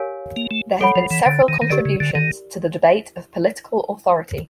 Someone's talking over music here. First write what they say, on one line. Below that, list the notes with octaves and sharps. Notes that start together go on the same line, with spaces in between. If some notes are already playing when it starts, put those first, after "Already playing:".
There have been several contributions to the debate of political authority.
Already playing: G4 A#4 C#5 F5 G#5
A#3
A3
G3 A4 C#5 F#5 B5
F3
E3
D3
D#3
D#3
D3 G4 A#4 D5
C#3
D3
D#3